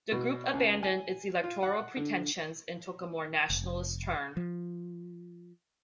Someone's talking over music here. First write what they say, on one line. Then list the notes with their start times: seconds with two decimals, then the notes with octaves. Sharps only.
The group abandoned its electoral pretensions and took a more nationalist turn.
0.12 B2
0.53 C#2
0.83 G#5
1.44 F4
1.63 F#5
1.97 D3
3.50 F1
4.37 F3